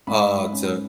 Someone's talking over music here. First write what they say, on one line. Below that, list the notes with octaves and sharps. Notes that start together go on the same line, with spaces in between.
uh, to
G#2 B5
C#4